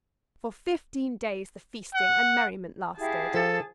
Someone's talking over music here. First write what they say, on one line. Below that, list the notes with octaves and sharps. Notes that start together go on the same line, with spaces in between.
For fifteen days the feasting and merriment lasted.
F#5
E4 G4 G#4 F5 A5
F3 A4